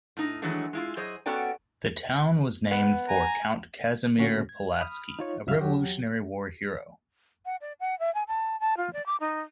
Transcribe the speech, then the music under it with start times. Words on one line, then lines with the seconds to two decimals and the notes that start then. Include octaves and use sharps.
The town was named for Count Casimir Pulaski, a Revolutionary War hero.
0.17 A2 D#4
0.42 D#3 E3 F#3 G#3 A3 D4
0.73 G#3 E4 F4
0.97 F#3 G#4 C5 D#5
1.26 B3 C#4 F#4 A4 D5 G5
2.71 B3
3.09 G#5 A#5
4.17 A#2 D3 A#3 C#4 F#4
4.49 G#6
4.80 B5 D#6 F6
5.19 D#4 F4 C#5
5.47 C#2 G2 F#3 E5 F5 F6
5.61 E2 F#3 F#4 G4
7.46 F#5
7.61 D5
7.80 F#5
7.99 E5
8.15 G#5
8.28 A5
8.60 A5
8.77 F4
8.93 D5
9.06 D6
9.20 D#4